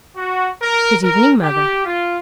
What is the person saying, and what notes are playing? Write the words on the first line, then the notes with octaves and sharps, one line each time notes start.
'Good evening, Mother.'
F#4
A#4
A#4
G4
F4